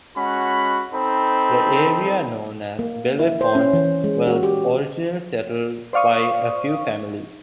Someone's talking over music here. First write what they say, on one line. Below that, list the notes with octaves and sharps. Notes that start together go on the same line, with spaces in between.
The area known as Bellefonte was originally settled by a few families.
G#3 C#4 F#4 F#5 B5
C4 D#4 A4 B5
A#3
E4
C5
C#4
E3
G#3
F#4
G4
C5 D5 F5 C#6 D#6